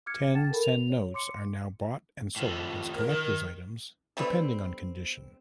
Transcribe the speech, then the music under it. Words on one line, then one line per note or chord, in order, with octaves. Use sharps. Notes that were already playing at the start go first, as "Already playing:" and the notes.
Ten sen notes are now bought and sold as collectors items depending on condition.
D6 F6 G#6 C#7
F#5 G5 A5 A6 E7
A4 A#4 B5
F7
C#5
C6 D6 C#7
A2 F3
A#4
D#3
D3 G3 B3 C4